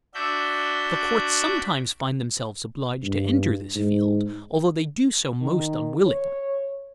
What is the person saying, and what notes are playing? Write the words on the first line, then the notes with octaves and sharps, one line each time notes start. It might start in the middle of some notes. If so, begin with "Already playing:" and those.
The courts sometimes find themselves obliged to enter this field, although they do so most unwillingly.
D4 F#4 E5 G6
G2
G#2
D#3
C#5